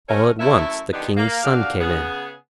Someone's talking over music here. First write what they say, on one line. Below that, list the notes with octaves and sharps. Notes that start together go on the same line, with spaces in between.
All at once the King's son came in.
A3 C#4 A#4
F#2 A3 E4 A4 E5
D3 F3 B3 D4 D#4 G4
A#3
D#2 D3 F#4 D5 F5
C#3 B3 G#4